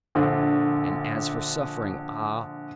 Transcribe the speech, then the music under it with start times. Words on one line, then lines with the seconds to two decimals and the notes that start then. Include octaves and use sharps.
And as for suffering--ah!
0.15 A#1 D3